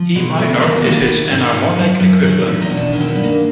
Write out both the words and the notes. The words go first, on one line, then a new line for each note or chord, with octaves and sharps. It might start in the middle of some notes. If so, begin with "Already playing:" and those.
E minor is its enharmonic equivalent.
Already playing: F3
B2 G#3
E2 A3
D#2 A#3
C4
B3
D#3 A#3
B3
D#3
G#2 C#4
D#3 C#4
F#2
F#2
D#3
C#4
E2 C4
D#4
B2 C#4
D4
D#3 C#4
C4
B3
G2
A#3